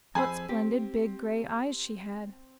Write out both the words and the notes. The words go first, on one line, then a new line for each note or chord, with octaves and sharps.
What splendid big grey eyes she had!
F2 G#4 C5 G#5 B5 E6
C4 G4